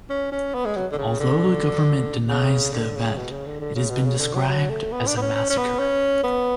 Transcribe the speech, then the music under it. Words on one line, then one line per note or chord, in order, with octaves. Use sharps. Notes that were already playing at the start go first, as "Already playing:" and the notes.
Although the government denies the event, it has been described as a Massacre.
C#4
C#4
B3
G#3
F#3
D3
C#3
D3
C#3
D3
C#3
B2
C#3
D3
D3
C#3
B2
C#3
D3
F#3
F#3
A3
B3
D4
B3
C#4
C#4
C#4
B3
C#4
B3